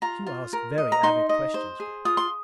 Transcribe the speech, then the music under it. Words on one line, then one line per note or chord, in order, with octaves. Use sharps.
"You ask very avid questions, Gregg!"
F4 A#5
F4
A#4
D#5
A#5
D#4 C6
D#5
C5
G#4
F4 D#6
C6